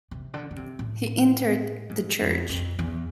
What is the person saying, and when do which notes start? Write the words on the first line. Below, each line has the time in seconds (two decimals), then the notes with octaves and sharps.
He entered the church.
0.11 C3
0.34 D3
0.51 D3
0.56 C3
0.79 A2
1.89 G#2
2.20 F2
2.49 F2
2.79 E2